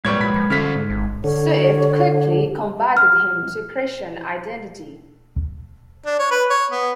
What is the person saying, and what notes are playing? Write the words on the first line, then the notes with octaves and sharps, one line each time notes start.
Swift quickly converted him to Christian Identity.
A2 G3 G#3 A#4 B4 C#5 G#6
A#2 B5 B6
F3
D3 C#4 A4 C5 F6 B6
G#2
G#1
D3 C#5
F6
D4
C#5
B4
C#5
B3